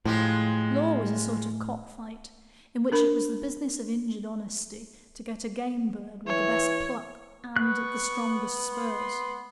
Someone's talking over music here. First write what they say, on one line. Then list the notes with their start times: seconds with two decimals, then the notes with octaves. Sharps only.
Law was a sort of cock-fight, in which it was the business of injured honesty to get a game bird with the best pluck and the strongest spurs.
0.05 A2 F3 G#3 G4
2.92 D4 A#4 B5
6.27 E3 C#5
7.56 B3 C#6 F#6
8.71 C6